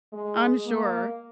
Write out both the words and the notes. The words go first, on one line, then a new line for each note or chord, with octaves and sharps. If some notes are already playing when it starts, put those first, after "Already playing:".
I'm sure.
G#3
A#3